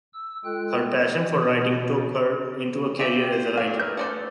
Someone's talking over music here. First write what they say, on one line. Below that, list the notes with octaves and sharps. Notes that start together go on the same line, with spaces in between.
Her passion for writing took her into a career as a writer.
E6
G#3 F4 A4 G5 F#6
B2
F4 D5 E5 G5
C5
A3 D4 F5
D#4 A#4 B4 E5 G6
A4 C5 D5 F#5